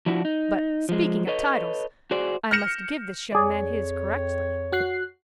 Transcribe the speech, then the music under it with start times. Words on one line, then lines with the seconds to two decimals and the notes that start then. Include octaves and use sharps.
But speaking of titles--I must give this young man his correctly.
0.06 F3 D4 E4 F#4
0.25 D#4
0.89 F3 G#3
1.27 A4 B4 C#5 D#5
2.11 F#4 G#4 C5 D5
2.51 F6 G6 A#6 C#7 E7
3.32 F2 G#4 C#5 D5
4.72 F#4 F#6 C7